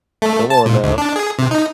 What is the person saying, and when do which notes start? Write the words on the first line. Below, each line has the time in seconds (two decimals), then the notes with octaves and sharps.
Come on, now.
0.22 A3
0.50 A5
0.66 A#2
0.83 D2
0.98 D4
1.16 G#4
1.39 C3
1.51 D#4